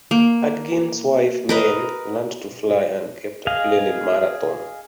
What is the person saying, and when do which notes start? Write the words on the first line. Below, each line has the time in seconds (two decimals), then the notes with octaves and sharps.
Hudgins' wife Mary learned to fly and kept a plane in Marathon.
0.11 A#3
1.49 A#4 B4 D#5
3.47 G#4 D#5 F5